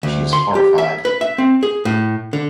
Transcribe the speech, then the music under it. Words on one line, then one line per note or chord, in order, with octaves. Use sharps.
She is horrified.
D2
C6
G4
E5
B4
E5
C4
G#4
A2
D3